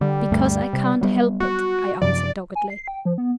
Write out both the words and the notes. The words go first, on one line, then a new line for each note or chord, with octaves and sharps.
"Because I can't help it," I answered, doggedly.
D3 G3
D2 G2 A3
C3
F#3 G3 B3
F#4
F#2 C3 F3 D5
G#5
C7
G5
F3
B3